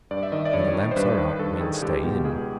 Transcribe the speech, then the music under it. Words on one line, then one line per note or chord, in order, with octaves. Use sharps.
When the lamps are out men stay in.
G2 D5
E5
D#3 D#5
D5
G2 C#5
D#3
C5
G2 B4
D#3
G2 A4
D#3 G#4
C#2 G4
B2 G4
C#2 G#4